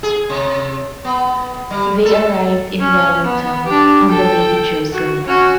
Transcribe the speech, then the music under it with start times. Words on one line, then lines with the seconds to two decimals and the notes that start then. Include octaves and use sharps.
They arrived in Wellington on the "Lady Jocelyn".
0.03 G#4
0.30 C3
1.05 B3
1.71 G3
2.05 A4
2.80 C#4
3.24 B3
3.66 D4 G4
4.08 A4 G5
4.93 F#4
5.24 C#4 F#4